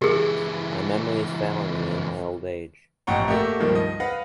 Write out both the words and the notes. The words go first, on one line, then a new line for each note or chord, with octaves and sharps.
My memory is failing me in my old age.
C#2 E3 G4 G#4
A1 F2 F#5 G5 A#5 C#6
A3 A#3 F#4 G4
C#2 G2 D#3 F3
D#5
B4 F5 F#5 A#6